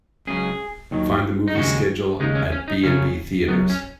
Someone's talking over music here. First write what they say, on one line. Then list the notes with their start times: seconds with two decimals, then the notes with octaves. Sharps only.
Find the movie schedule at B&B Theatres.
0.27 C#2 C#3 F#3 G#4
0.91 D#2 D#3 F#3
1.48 D#4
1.55 D#2 C#3 G#3 F#4
2.20 D#2 C#3 G#3 D#4
2.35 C#4
2.52 C#4
2.68 D#4
2.83 F#2 C#3 F#3 C#4
3.48 F#2 F#3 B3
3.70 C#4